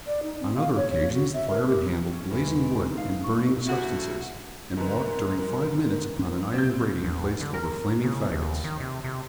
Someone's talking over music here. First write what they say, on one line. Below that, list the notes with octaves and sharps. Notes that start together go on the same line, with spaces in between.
On other occasions the fireman handled blazing wood and burning substances, and walked during five minutes upon an iron grating placed over flaming fagots.
D5
D#4
C4
F5
C#5
C#5
F#4
E5
A#4
G4
C#4
E2
G#3
D7
D#4
F5
C#6
D2 E4 F#4
G#2 D3 E3 A#4
C#4
C4 G6
E2
D3
A#4
C#3
D#2
D#3
C3
C3